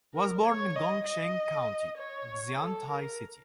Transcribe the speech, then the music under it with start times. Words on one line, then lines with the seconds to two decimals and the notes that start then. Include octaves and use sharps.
Was born in Gongcheng County, Xiantai City.
0.14 A#4
0.45 C#5
0.75 D#5
1.06 D#5
1.98 C#5
2.60 A4
2.90 A#4